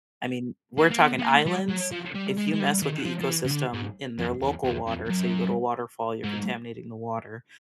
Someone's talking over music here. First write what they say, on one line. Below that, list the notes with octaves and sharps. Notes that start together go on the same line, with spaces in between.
I mean, we're talking islands, if you mess with the ecosystem in their local water- so you go to a waterfall, you're contaminating the water-
A#3
A#3
B3
B3
A#3
G3
F#3
F3
G3
G#3
G#3
G3
D#3
F3
F3
E3
C#3
D3
G#2
F2
E2
E2
F2
F2
F#2
G#2